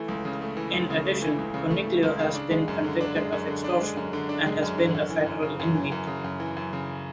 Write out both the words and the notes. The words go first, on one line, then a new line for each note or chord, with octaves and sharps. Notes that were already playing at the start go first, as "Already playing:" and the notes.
In addition, Coniglio has been convicted of extortion and has been a federal inmate.
Already playing: E3 A3
C#2
C#3
A3
E3
C#2
C#3
A3
E3
C#2
C#3
A3
E3
C#2
C#3
D4
G#3
F#2
D3
D4
G#3
F#2
D3
D4
G#3
F#2
D3
D4
G#3
F#2
D3
F#2
E3
F#2
C#3
F#2
E3
F#2
C#3
F#2
E3
F#2
C#3